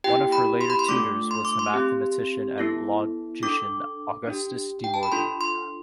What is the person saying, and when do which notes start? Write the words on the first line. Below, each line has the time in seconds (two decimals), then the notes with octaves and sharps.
One of her later tutors was the mathematician and logician Augustus De Morgan.
0.04 B3 E4 G4 G5
0.32 B5
0.61 C6
0.70 B5
0.79 C6
0.89 A3 D4 F4 A4 D6
1.31 C6
1.45 D6
1.59 C6
1.74 C4 G4
2.58 B3 E4 A4
3.43 D4 A4 D6
4.27 D4 G4
4.84 G5
4.94 A5
5.03 B5
5.12 D4 F4 A4 C6
5.41 C6